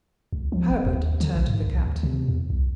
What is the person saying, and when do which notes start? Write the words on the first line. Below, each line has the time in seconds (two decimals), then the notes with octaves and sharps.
Herbert turned to the Captain.
0.33 C#2
0.52 F3
0.70 F#1
0.86 D#2
1.20 D3
1.35 A#1
1.47 G#2
1.68 C2
1.86 D2
2.03 C3
2.28 E2
2.50 C2